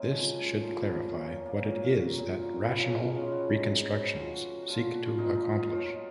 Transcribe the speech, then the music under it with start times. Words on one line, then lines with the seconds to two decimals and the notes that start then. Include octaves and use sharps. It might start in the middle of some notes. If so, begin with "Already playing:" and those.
This should clarify what it is that rational reconstructions seek to accomplish.
Already playing: G#3 A#3 C#4
0.10 F#2 F3
0.61 A#2 F3 A#3
0.74 B3
0.86 A#3
0.99 C#4
1.11 A#2 F3 C#4
1.29 A#3
1.46 A#3
1.62 A#2 F#3
2.13 A#2 F#3
2.64 F#2 C#3 F3 B3
2.81 C#4
2.98 D#4
3.15 F#2 C#3 F3 F4
3.32 F#4
3.45 D#4 F4
3.66 B2 F#3
4.08 F#4
4.16 B2 F#3 F4
4.33 F#4
4.62 F#4
4.67 A#2 F3 F4
4.93 F#4
5.06 F4
5.18 A#2 F3 D#4
5.35 D#4
5.52 F4
5.69 B2 F#3 F4